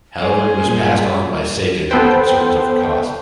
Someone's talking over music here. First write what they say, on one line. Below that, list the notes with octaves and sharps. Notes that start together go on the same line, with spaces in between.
However, it was passed on by Sega due to concerns over cost.
G3 G#4 C5
A#2
B3 A4 B4 C5 G5